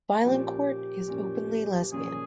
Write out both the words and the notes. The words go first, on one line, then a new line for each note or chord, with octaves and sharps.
Vaillancourt is openly lesbian.
A#2 F3 A#3 C#4 G4
A#2 F3 A#3 C#4
A#2 F3 A#3 C#4 G#4